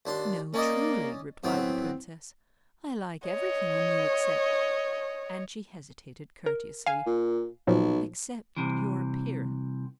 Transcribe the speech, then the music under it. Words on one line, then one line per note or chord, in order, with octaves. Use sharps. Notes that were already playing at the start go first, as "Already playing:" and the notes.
"No, truly," replied the princess; "I like everything in you, except"--and she hesitated courteously--"except your appearance."
D#2 D4 C6
A#3 C#4 D5 D#5
A2 F#3 B3 C4
C#5 D#5
A#4
F5 G#5
A#2
B1 A#2 F3 F#3
C2 G2 C3 E3